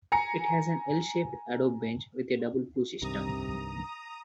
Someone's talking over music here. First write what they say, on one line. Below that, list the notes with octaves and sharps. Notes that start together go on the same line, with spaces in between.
It has an 'L' shaped adobe bench with a double flue system.
G#5 A#5 C#7
C2 G2 C3 D#3 A#5 D#6